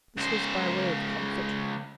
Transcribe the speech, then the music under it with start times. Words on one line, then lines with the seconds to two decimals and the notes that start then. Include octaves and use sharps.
This was by way of comfort.
0.17 C#2 C5